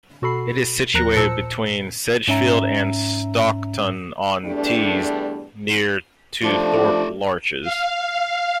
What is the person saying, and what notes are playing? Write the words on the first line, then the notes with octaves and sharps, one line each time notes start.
It is situated between Sedgefield and Stockton-on-Tees, near to Thorpe Larches.
B2 F#4 A4 B5 C7
D#2 F3 A#4 A#5 F#6 A#6
A#2 C5 A5 E6 C#7
G#2 C#4 E5 A#5
E2 G2 G3 A3 D4
F3 A3 D4 F4 G4 D5
F5